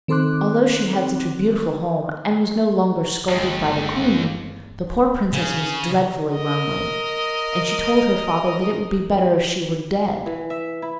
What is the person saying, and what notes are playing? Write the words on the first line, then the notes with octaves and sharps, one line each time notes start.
Although she had such a beautiful home, and was no longer scolded by the queen, the poor princess was dreadfully lonely, and she told her father that it would be better if she were dead.
D#3 C4 A4 C6 D6 F#6
G1 D#2 G#3
C#3
A#4 D#5
E3
E5
E4